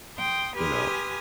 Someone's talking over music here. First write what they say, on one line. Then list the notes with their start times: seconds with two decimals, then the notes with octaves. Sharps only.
you know,
0.16 G5 C6 D#6 G6
0.55 G4 B4 G#5 C6 D#6 F6